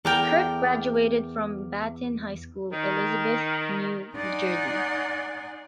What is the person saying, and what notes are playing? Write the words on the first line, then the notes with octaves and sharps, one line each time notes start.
Kirk graduated from Battin High School, Elizabeth, New Jersey.
E2 A4 A#4 G5 D6 F6
D#3
D#4 D5 F#5 G#5 C6